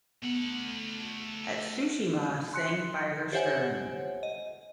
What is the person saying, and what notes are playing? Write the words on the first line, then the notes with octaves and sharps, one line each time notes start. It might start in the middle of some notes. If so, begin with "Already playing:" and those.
"Hatsushima" sank by her stern.
A3 B3 F#5
C6 F#6 C#7
G4 C5 C#5 E5 F#5 G#5
D#5